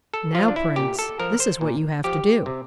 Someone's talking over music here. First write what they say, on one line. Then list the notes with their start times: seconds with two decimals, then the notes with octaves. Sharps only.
'Now, Prince, this is what you have to do.
0.14 A4
0.35 F3 F4
0.48 D4
0.56 E4
0.76 A#2 G4
0.99 A4
1.20 F3 A#4
1.40 C5
1.61 A#2
2.04 F3 G4
2.46 C3